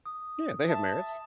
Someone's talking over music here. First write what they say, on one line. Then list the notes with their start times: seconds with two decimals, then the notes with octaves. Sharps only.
Yeah, they have merits.
0.06 D#6
0.68 E5 A5